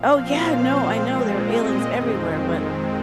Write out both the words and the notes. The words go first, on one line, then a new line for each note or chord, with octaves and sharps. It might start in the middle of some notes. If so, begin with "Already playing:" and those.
Oh, yeah, no, I know there were aliens everywhere, but,
Already playing: A#2 F3 C4 F5
C5
A#2 G#3 C4
D#5
F2 D#3 G#3 C4